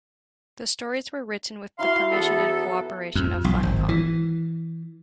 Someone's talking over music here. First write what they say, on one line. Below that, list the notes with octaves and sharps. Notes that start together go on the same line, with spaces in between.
The stories were written with the permission and cooperation of Funcom.
D#4 E4 F#4 F5 C6
E2 B3 A4
F2
B1
G#1
E3